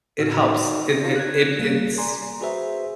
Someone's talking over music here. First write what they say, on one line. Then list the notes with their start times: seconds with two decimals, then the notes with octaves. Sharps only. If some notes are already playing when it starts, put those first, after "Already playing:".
it helps. It it it it's
0.19 A2 D#4 F#4 E6 F6
1.03 D4 D#4 F4 F#4 C#5 F5
1.16 F#6 G#6
1.58 G#1 G3 A#3
1.98 D5 G#5 A#5 C6
2.22 A#5
2.41 F#4 G#4 B4 C5 E5